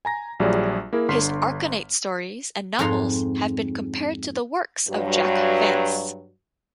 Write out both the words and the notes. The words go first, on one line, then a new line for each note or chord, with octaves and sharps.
His Archonate stories and novels have been compared to the works of Jack Vance.
G#5 A#5 A#6
A#1 F#3 G3 F4 G#4 D5
A#3 E4 G#4 A#4
G1 D3 C6 F6 B6 C7
F2 G#2 A#5 C6
G2 F#3 F#4